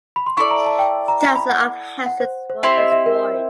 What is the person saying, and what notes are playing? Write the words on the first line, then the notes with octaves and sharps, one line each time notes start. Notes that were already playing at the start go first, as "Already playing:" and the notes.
Thousands of houses were destroyed.
B5
C6
E4 A4 D5 C#6
A#5
A5
G5
A#5
A#5
B5
F#5
F#5
C5
C5
C4 E4 G4 C5 E5
D#5
E5
A#4